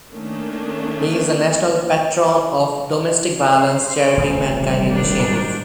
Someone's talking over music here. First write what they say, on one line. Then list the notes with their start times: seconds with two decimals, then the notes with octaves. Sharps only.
He is a national patron of domestic violence charity Mankind Initiative.
0.13 D#3 A3 A#3 C#4 D4
3.47 C5
4.17 D#1 A1 C#3
4.51 G3
4.88 D#3 D4
5.21 G#2 F#3